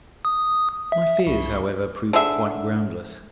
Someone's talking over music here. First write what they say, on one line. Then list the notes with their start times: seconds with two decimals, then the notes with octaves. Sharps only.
My fears, however, proved quite groundless.
0.25 D#6
0.92 E5
1.27 C2
2.13 D3 G#4 E5